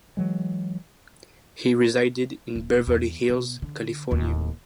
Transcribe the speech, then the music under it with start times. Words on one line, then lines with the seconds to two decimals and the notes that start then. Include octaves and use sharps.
He resided in Beverly Hills, California.
0.17 E3 F#3 G#3
2.56 D#1
2.87 E2
3.29 B2
3.62 D3
4.11 D1 D#2